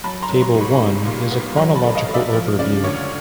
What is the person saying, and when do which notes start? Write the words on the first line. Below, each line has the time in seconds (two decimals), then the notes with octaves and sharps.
Table I is a chronological overview.
0.04 F#3 A5 B5
0.22 A#5 C6
0.29 F#3
0.42 A#5 C6
0.54 G#2
0.61 B5 C#6
0.80 G3
1.05 A#2
1.31 B3
1.57 F#3 A#5 C6
1.76 A5 B5
1.83 A3
1.95 D#5 F5
2.07 A3
2.14 D5 E5
2.33 F3
2.59 C#3 D5
2.84 D2 C#5